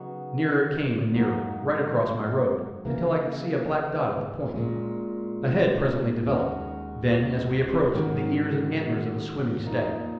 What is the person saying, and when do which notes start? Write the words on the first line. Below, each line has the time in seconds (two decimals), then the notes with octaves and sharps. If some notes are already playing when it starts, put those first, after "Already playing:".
Nearer it came and nearer, right across my road, until I could see a black dot at the point, a head presently developed, then as we approached the ears and antlers of a swimming stag.
Already playing: C#3 F#3 B3 D#4 F#4
1.15 G#2 F#3 A#3 D#4 F#4
2.85 C#3 E3 A#3
4.54 A#2 G#3 C#4
6.24 D#2 D#3 G#3 C#4 F#4
7.94 G#2 D#3 F#3 C#4 F#4
9.64 A#2 A#3 D#4